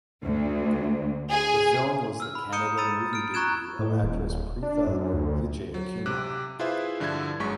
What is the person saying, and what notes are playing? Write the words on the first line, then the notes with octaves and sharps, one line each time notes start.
The film was the Kannada movie debut of actress Preetha Vijayakumar.
D2
G#4
E6 F6
B5
A#5 D#6 G6 C#7 D#7 G7
A#5 B5 E6 A6 D#7
F6 D7
A#5 C#6 F#6 G#6 E7
A2
D#1
D4
F#2
D2
F#3
C3 D6 F#6
E4 F4 G#4 B4 C5 E5
G2 D3 F3 E4 A4 G#6
G1 F#2 G#3 C#6 B6